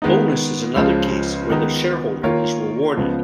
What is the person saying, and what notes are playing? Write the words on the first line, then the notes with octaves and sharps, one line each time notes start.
Bonus is another case where the shareholder is rewarded.
D#3 G#3 B3 D#4
C#2 C#3 F3 G#3
D#3 G#3 B3 D#4
D#3 A#3 F4 A#4 C#5
C#2 C#3 F3 B3